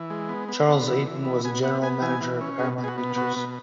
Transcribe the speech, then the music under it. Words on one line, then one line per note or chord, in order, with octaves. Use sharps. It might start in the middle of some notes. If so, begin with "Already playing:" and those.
Charles Eyton was the General Manager of Paramount Pictures.
Already playing: E3
G#3
B3
B3
B3
E3
E3
B3
B3 G#5
B3 F#5
B3 G#5
E3 G#5
E3
C#4
B2 G#4
B2
G#4
F#4
B3
B2 F#4
B2